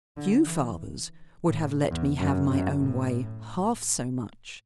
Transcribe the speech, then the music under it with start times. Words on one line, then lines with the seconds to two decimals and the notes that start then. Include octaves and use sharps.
Few fathers would have let me have my own way half so much.
0.17 D3
0.46 E3
1.48 A2
1.91 E2
2.21 F#2
2.50 F#2
2.79 A2